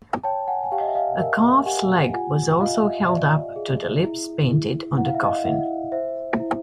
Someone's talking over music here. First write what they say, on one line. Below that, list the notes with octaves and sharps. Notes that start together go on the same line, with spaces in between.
A calf's leg was also held up to the lips painted on the coffin.
C#5 G5 A5
F#5 G#5
G#5
G4 F5 G5
D#5
E5
D#5 F5
A#4 E5
G4 F#5 G#5
F4 F#5 G#5
F4 D#5 F5
E5
D#5
D5 E5
G#4
E4
E4
E4 F#5
F5
E5
D#5 F5
E4 E5 F#5
C5 E5
E4